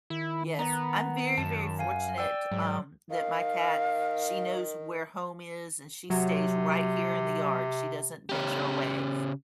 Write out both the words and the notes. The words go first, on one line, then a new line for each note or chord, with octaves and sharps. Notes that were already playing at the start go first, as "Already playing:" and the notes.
Yes. I'm very, very fortunate, um, that my cat she knows where home is, and she stays right here in the yard. She doesn't venture away.
D#3 E4
B3 A#5
F#2 A5
F5 G#5
D5 G5 E6
G#2 F#3
D#3 F5
C3 F#3
C#3 C#4 G4